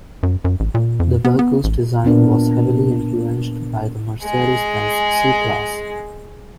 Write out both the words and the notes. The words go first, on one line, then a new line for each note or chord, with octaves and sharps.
The vehicle's design was heavily influenced by the Mercedes-Benz C-Class.
F#2
F#2
A1
A#2
F2
B3
B3
A1
A#2 B3 D4 A#4
G#3 G#4